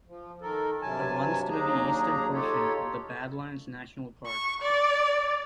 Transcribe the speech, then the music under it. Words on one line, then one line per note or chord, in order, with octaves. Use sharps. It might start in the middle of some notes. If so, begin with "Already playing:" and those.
It runs through the eastern portion of the Badlands National Park.
F3
D#3 A4 A#4
G2 C3 F#3 G#5 A5
D#2 F#3 D4 D#4 G#4 A#5
D#4 F4 G4 A4 C#5
C#6
D5